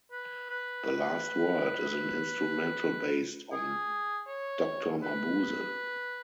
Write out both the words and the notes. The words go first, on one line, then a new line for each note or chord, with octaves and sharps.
"The Last Word" is an instrumental based on "Doctor Mabuse".
B4
B4
G#4
C#5
B4